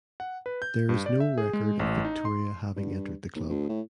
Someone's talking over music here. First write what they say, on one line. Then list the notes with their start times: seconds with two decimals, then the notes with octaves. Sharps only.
There is no record of Victoria having entered the club.
0.20 F#5
0.46 B4
0.62 G6
0.89 G2
1.06 D5
1.20 E5
1.38 G#4
1.53 G#3
1.80 A1
2.05 D#4
2.25 C6
2.76 G2
3.36 D#2
3.49 D2
3.69 A2